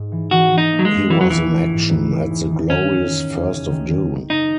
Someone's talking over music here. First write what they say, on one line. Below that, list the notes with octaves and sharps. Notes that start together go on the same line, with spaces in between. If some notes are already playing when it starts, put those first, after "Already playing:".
He was in action at the Glorious First of June.
Already playing: G#2
E3
E3 F#4
E3
D#4
A#3
F#3
G#3
A#3
E3 A#3
F#3
A#1 E3
A#3
G#2
D#3
D#3
E2
D#3
D#3 C#4
E2
D#3
E2
F#1
D#3
D#3
D#3
F#1 D#4